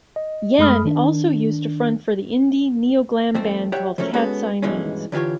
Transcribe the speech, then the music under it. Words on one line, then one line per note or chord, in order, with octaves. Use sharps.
Yan also used to front for the indie neo-glam band called Cat Siamese.
D#5
F#2 G#3 A3 B5 D#6 F6
D#3 D4
F2 A3 C4
G4 C#5 E5 F#5
F3 F#3 A3 A#3 C#4
G#3 B3 C#4 F#4 A4
G2 B2 E3 G#3 C#4
D3 E3 F4 G4 C#5